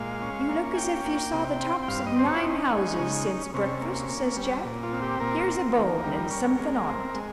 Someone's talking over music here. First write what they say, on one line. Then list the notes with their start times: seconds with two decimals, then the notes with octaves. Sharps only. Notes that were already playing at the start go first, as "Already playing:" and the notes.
"You look as if you saw the tops of nine houses since breakfast," says Jack; "here's a bone and something on it."
Already playing: A#2 G#3 F5
0.22 C#4
0.49 A#3
0.74 G#5
0.77 C#4 G5
1.05 A#3
1.33 C3
1.60 C4
1.83 G5
1.88 G2 F5
2.07 D#5
2.16 C4 C5
2.26 C#5
2.35 F4
2.43 C#4 D#4
2.72 G#3
2.99 C#3
3.26 C#4
3.54 C3 C#4
3.81 A#3
4.09 A#3
4.37 G3
4.65 A#2
4.83 F4
4.93 C4
5.02 G4
5.20 A#2 A#4
5.48 C4
5.76 D#2
6.04 G3
6.31 C#4
6.59 G#3
6.87 C4
7.15 G#3